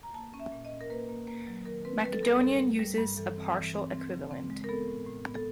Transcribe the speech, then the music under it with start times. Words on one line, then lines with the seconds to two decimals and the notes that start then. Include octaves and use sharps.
Macedonian uses as a partial equivalent.
0.03 A#5
0.14 A#3 A5
0.34 C#4
0.40 E5
0.52 A#2
0.65 D#5
0.71 C#4
0.81 A#4
0.90 A#3 B4
1.09 A#3
1.28 A#3
1.47 F#3
1.66 D#3 A#4
1.85 C4 B4
2.04 G3 B4
2.13 A4
2.23 G2 A#4
2.42 G3 A4
2.61 G3
2.79 G3
2.99 G2
3.17 E3 A4
3.36 C4
3.55 E3
3.74 C4
3.93 C4
4.12 C#3
4.31 C4
4.50 G#3
4.64 A#4
4.69 B3 A4
4.87 A2
5.07 A2
5.26 B3
5.34 A4